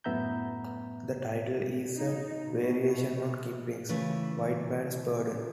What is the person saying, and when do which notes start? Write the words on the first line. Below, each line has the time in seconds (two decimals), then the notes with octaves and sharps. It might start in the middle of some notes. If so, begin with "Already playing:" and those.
The title is a variation on Kipling's "White Man's Burden".
0.04 F#2 A2 B3 E5 A#5 G6
1.96 D#4
2.46 B2
3.89 C#3 E3 A3 C#4 B4